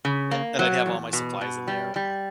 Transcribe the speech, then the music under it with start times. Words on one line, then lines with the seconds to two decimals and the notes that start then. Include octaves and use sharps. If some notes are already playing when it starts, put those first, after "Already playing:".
and and I'd have all my supplies in there, and
0.05 C#3
0.31 A#3
0.59 F#3
0.86 E2
1.13 B2
1.41 B2
1.67 G3
1.96 G3